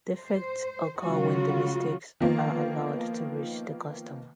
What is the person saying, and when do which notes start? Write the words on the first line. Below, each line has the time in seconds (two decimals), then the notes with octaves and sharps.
Defects occur when the mistakes are allowed to reach the customer.
0.18 C5
1.00 C#3 F#3 G#3 F4 F#4
2.21 D#3 F3 A#3 B3 F4